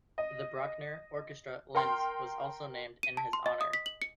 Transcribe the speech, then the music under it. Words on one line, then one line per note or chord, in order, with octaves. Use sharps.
The Bruckner Orchestra Linz was also named in his honor.
D#5
A#4 G5 C6 F6
D#7
A5
C6
D#5
D#6
B6
F#7
C#7